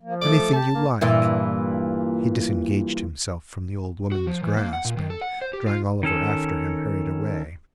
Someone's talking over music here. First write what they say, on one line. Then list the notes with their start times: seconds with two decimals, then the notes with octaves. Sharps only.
Anything you like!' He disengaged himself from the old woman's grasp; and, drawing Oliver after him, hurried away.
0.03 F3 A#3
0.22 A3 A4 D6
0.54 G4 A5
0.74 D#2 A2 D#3 A#3
1.01 G2 A#2 E3
4.12 F#4
4.27 F3
4.43 E3
4.57 A#3
4.73 F#5
4.85 A#2
4.97 D#3
5.10 A4
5.21 F#5
5.41 C5
5.53 G4
5.67 F4
6.03 D#3 C#4 A4